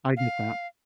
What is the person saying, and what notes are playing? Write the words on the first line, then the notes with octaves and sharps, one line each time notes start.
I get that.
F5